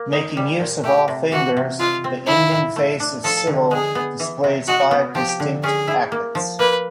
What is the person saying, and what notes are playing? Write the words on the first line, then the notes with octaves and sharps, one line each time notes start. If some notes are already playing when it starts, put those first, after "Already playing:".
Making use of all fingers, the ending face of Sybil displays five distinct packets.
Already playing: A#3
D#4
G3
A#2
A3 G4
C3
E3 F#4
C3
G#3 F4
C4
F3 E4
A2
A3
D4
F3 A4
D3
G#3 G#4
B3
E3
C3
G#3 F#4
B3
F3 G4
D3
C#4 G#4
E4
A#3
F3
A#3 B4